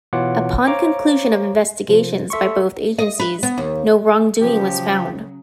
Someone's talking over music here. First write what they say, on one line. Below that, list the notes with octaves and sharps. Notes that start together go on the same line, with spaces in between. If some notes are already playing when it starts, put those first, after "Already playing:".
Upon conclusion of investigations by both agencies, no wrongdoing was found.
B2 E3 F4 C#5 F#5 D6
C5 C#5 F5 A#5 D6
C3 F3
A4 E5 C6 C#6
D#5
B4
B3
D#2
C#3 F3 F#3 G4